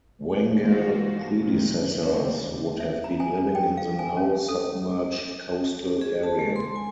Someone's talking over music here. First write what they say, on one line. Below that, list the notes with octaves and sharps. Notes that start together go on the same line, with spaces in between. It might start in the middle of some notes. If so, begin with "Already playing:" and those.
Wangal predecessors would have been living in the now-submerged coastal area.
G#2 E3 A#3 F4 F#4
F#2 A#2 D#3
D#2 C#3 A#3 C4 G4 C5
E5
A#5
G#5
D4
G5
F5
G#5
C#4
A4
G#4
A5
G#3
C6
G#5